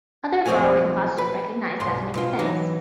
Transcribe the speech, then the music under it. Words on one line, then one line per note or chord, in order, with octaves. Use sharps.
Other borrowing costs are recognised as an expense.
B1 F3 A#3 C4 C#5 G#5
B4
B1 G2 C6
B2 F4
E3 F#3 D#4